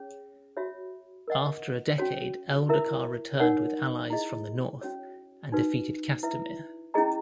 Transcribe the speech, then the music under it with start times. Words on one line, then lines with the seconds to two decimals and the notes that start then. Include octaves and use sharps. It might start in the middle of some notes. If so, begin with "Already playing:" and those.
After a decade Eldacar returned with allies from the North and defeated Castamir.
Already playing: C#4 G#4 C#5
0.57 F#4 C#5 E5 B5
1.28 A#4 D#5 F#5
1.98 C#4 F#4 C#5
2.69 E4 A#4 E5
3.40 D#4 A#4 C#5 F#5
4.10 E4 G#4 D#5
4.81 C#4 F#4 C#5
5.52 D#4 F#4 B4
6.23 E4 B4 E5
6.94 C#4 E4 G#4 D#5 A#5